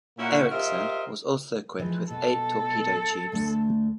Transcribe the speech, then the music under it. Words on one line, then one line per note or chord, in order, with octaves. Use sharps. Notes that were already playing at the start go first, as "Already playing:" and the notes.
"Ericsson" was also equipped with eight torpedo tubes.
A#2 A#3 C#4 E4 F#4
F4 G4 A#4 C5 D#5 E5
E3 F3 G#3
B2 A4
D2 A3 D4